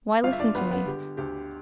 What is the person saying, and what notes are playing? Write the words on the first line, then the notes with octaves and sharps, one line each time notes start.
Why listen to me?
G1 F4 F5
E5
D4 D5
G1 B3 B4
B3 B4
D3 G4
D2 G4